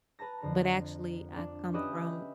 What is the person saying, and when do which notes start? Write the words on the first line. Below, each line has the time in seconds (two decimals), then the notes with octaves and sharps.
But, actually, I come from
0.19 B4 A5 A#5 A#6
0.41 F2 D3 A#5
1.37 D4
1.73 C#4 D4 G4 B4 D#5 E5